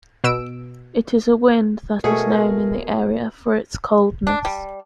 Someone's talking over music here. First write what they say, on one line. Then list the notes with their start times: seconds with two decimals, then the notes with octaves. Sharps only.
It is a wind that is known in the area for its coldness.
0.24 B2 E6 D7
2.04 B2 A3 G#4 A#4 C#5
4.27 D4
4.45 G3